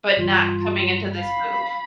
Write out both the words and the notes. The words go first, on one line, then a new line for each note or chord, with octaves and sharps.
But not coming into this move.
G1 G2 E3 F4
F5 B5